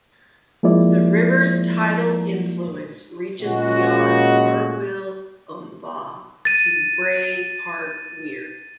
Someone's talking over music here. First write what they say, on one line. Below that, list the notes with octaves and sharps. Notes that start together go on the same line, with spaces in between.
The river's tidal influence reaches beyond Murwillumbah to Bray Park Weir.
F3 G#3 A#3 E4 D5
A#2 C#3 G#3 F#4
A6 D#7